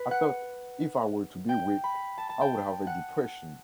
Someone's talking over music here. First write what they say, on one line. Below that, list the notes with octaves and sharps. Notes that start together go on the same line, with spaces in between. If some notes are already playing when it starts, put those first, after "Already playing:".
I thought if I were to be weak I would have a depression.
Already playing: B4
F#5
G5
B5
A5
A5
G5
F#5